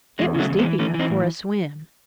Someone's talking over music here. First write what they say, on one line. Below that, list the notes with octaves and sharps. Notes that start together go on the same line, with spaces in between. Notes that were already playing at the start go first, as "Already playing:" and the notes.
It was deep enough for a swim.
E2 G#3
C#3 F#3 A3
E2
G#3 C4
E3
E3 A3 C#4
E3
C4 D#4
A2